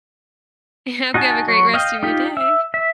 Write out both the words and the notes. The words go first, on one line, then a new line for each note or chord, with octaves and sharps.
I hope you have a great rest of your day.
D#4 F#4 D#5 G#5 A5
F#3 C#5
D#5 F5 G5
D#4 F4 G4
E5
E5